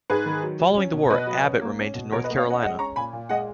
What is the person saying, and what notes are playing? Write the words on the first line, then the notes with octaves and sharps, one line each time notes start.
Following the war, Abbott remained in North Carolina.
G#2 G#4 B4
D#3
F#3
F#3
C#4
B2
B2 B4 D#5
F#3
C#4
A#3
C#4
B2
B2 A#4 C#5
B4 D#5
A#3
C#5 F5
C#4
D#5 F#5
G#3 D#5 F#5
C#4 A#5 C#6
A#2 G#5 B5
A#2
G#3 D#5 F#5